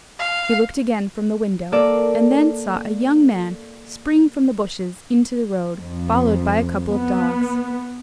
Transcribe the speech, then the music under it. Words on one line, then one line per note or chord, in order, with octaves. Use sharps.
He looked again from the window, and then saw a young man spring from the bushes into the road, followed by a couple of dogs.
F5
A#3 A4 D5
F2
B3